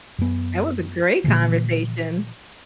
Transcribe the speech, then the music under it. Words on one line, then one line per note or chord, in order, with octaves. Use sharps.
That was a great conversation.
F#2 B3
A#2 D3 E3 F3